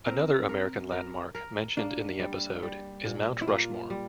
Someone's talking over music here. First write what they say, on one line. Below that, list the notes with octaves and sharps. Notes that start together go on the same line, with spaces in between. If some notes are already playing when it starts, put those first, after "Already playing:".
Another American landmark mentioned in the episode is Mount Rushmore.
C4 A#4
A#4
A#4
A#4
A#3 D4
G3
G3
A#2
E4
A#3 F4
G3